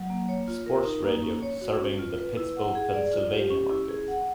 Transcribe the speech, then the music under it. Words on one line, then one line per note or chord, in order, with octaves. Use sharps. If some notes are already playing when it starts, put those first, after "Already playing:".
Sports Radio serving the Pittsburgh, Pennsylvania market.
Already playing: F#3
A#3
C#5
F4
A#4
D#4
A#3
C#4
C#5
F#4
C#4
F4
B4
E4
F#5
G#4
D5
F4
G4
C#4
E4
G#4
F#5